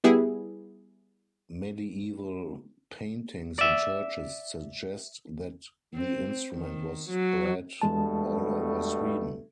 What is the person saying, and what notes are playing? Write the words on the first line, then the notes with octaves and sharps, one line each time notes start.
Medieval paintings in churches suggest that the instrument was spread all over Sweden.
G3 B3 E4 G#4
D5 E5
C4
D#3
F#3
E2 G2 B2 G#3 A3 A5